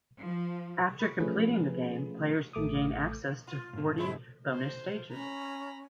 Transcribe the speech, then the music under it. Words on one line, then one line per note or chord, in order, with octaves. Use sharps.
After completing the game, players can gain access to forty bonus stages.
F3
B5 C#6
F3 A3 C#4 G#4 B4
A1 A3 D6 D#6
F4
G#2 B2 D3
G#3 E4 C5
C5
C#4 A#5 B5